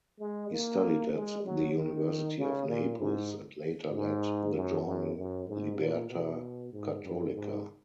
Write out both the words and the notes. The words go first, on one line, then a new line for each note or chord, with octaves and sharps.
He studied at the University of Naples and later led the journal "Liberta cattolica".
G#3
A#3
G#3
F#3
D#3
C#3
A#2
G#2
G#2
F#2
F#2
F#2
G#2
A#2
B2
G#2
F#2
G#2